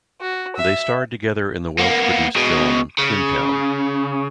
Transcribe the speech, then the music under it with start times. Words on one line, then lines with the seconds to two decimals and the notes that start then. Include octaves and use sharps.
They starred together in the Welsh-produced film "Twin Town".
0.21 F#4
0.56 E5
1.79 A#3 B3
2.36 B2 G#3
2.98 C#3